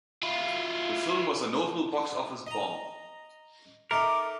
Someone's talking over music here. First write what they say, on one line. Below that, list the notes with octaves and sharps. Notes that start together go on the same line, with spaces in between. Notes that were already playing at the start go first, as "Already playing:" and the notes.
The film was a notable box-office bomb.
E4 F4
D#5 A#5
A3 D#4 A#4 D6